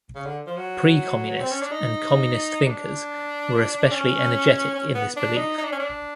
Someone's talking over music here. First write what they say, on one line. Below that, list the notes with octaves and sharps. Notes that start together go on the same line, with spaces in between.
Pre-Communist and Communist thinkers were especially energetic in this belief.
C#3
D3
F3
F#3
C4
C#4
D4
D#4
D4
C#4
C#4
B3
D4
D#4
D#4
D4
C#4
D4